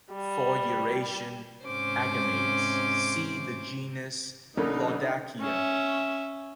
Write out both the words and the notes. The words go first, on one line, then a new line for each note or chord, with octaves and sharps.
For Eurasian agamaids, see the genus "Laudakia".
G3
G#2 C3 C#4 C5 D6
B1 D3 A#3 C#4 D#4 B5
C#4 E5